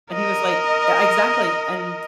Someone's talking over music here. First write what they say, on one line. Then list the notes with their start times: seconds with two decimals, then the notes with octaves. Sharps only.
And he was like uh, exactly. And
0.14 A#4 D#5